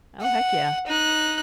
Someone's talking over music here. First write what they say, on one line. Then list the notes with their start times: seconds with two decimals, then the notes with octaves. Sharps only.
Oh, heck yeah.
0.21 F#5
0.87 D#4 F#6